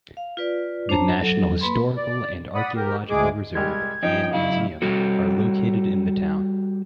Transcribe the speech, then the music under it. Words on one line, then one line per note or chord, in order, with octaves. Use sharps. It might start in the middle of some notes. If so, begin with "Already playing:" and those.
The National Historical and Archaeological Reserve and Museum are located in the town.
F5
F4 B4 D5
D4 C5 C#5 A5 A#5
F#3 A4
A#3 B4 B5 C6
D5
D5 F#5 B5 D#6
G4 A#4
D2 G#3 G#4 D6
C2 G3 G#3 G#6
F3 C#4 D#4 G5
C#3 F#3 E4 F5
G3 F#4 A4